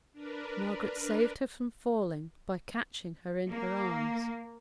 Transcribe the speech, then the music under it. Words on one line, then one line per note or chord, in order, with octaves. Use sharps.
Margaret saved her from falling by catching her in her arms.
D4 A#4 B4
A#3